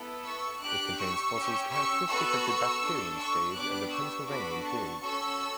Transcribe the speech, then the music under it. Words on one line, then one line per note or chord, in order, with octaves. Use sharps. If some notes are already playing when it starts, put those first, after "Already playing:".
It contains fossils characteristic of the Bashkirian stage of the Pennsylvanian period.
Already playing: B3 E4 A4
C#6 E6
D4 G4 D6 F#6
C#6 E6
C#4 G4
C#6 E6
B3 F#4 A4 C#6 E6
D4 A4
C#6 E6
B3 D4 G4 D6 F#6
C#6 E6
B3 D4 F#4 A4 B5 D6
A5 C#6
C#4 F#4 A4 C#6 E6